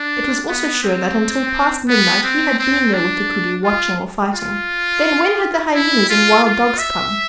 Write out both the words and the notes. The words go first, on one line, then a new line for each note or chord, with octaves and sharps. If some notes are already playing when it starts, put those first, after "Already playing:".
It was also sure that until past midnight he had been there with the koodoo, watching or fighting. Then when had the hyenas and wild dogs come?
Already playing: D4
B3
C4
B3
C4
C4
D4
F4
F4
E4
F4
F4
E5